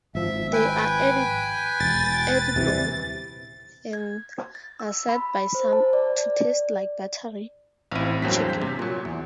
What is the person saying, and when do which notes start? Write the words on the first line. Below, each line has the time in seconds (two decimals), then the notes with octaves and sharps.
They are edible, and are said by some to taste like buttery chicken.
0.15 G#1 F3 E5
0.53 B4 G5 G#5
1.80 E1 A6
2.56 D#1 C3 E3
3.93 G#6
4.55 A6
4.80 E6
5.09 B5
5.55 C5
5.73 A5
5.93 D5
7.92 A1 C4 E4 F5 D#7
8.22 E2 G2 F#3 A#3 C4 B6
8.49 G6 B6
8.62 C3
8.79 A#2 F#3
9.05 E2